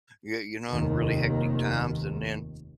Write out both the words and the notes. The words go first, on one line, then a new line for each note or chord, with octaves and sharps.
y you know, in really hectic times, and then
F1 D#2 D#3